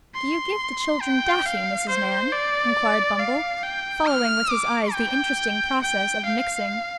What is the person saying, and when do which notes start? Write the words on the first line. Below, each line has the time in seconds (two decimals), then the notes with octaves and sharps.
'Do you give the children Daffy, Mrs. Mann?' inquired Bumble, following with his eyes the interesting process of mixing.
0.15 C6
1.02 G5
1.46 F5
1.89 C5
2.32 D5
3.20 F5
3.63 G5
4.07 F6
4.51 D6
4.94 G5
5.81 G5
6.25 F5